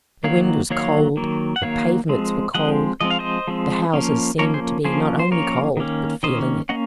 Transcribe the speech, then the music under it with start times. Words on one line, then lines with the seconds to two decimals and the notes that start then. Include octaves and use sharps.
The wind was cold, the pavements were cold, the houses seemed to be not only cold but feeling it.
0.24 D#3 F#3 A#3 C#5 F5
0.70 D#3 F#3 A#3 C#5 F5
1.17 D#3 F#3 A#3
1.56 F#5
1.62 D#3 F#3 A#3 C#5 F5
2.09 F3 G#3 C4
2.54 F3 G#3 C4 D#5 F#5
3.01 F3 G#3 C4 D#5
3.10 F5
3.19 C5 D#5
3.48 F3 G#3 C4
3.94 F3 A#3 C#4
4.39 F3 A#3 C#4 A#4 C#5
4.54 G#4 C5
4.85 F3 A#3 C#4 G#4 C5
5.19 C5
5.31 F3 A#3 C#4 A#4 C#5
5.77 D#3 A#3 C#4
6.23 D#3 A#3 C#4 C5 D#5
6.69 A#3 C#4 D#5 F#5